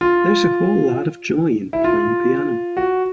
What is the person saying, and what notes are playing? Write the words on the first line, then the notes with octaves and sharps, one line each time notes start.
There is a whole lot of joy in playing piano.
F4
E4
F4
F#4